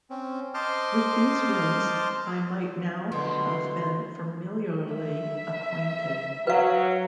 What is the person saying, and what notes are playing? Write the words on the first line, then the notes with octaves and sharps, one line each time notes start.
With these rooms I might now have been familiarly acquainted!
C4 C#4
C5 D#5 A5 C6 D6 F6
B2 D3 G5 C6
E5
F#3 B4 F5